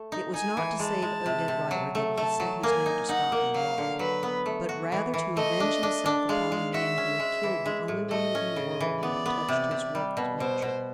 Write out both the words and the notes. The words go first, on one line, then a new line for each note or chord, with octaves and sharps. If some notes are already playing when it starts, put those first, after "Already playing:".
It was not to save Odette Rider that he sent his note to Scotland Yard, but rather to avenge himself upon the man who had killed the only woman in the world who had touched his warped nature.
Already playing: A3
D#4
D#4 G#5
E3
G#3 A5
G#3
C3
C3
F#3
A3
A3 A5
F#3
A#3 G#5
D#4
D#4 F#5
A#3
F#3 F5
D3
F#3 B4
B3
A3
F#4
E3
E3
A3 D#5
D4
D4
D4
G#3 F5
G#3
F#4 E5
C#4
G#3
E3
G#3
A2
A3 D#5
C#4
C#3
E3
B3 D5
B3
C3
C3
G3
B2
B2 C5
B2